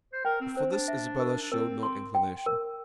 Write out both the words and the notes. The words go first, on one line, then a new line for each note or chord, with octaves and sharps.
But for this Isabella showed no inclination.
C5
A#4 G5
C4
C4 C5
D4
E5
A#4
D4
C4 A#4
C6
G5
A#4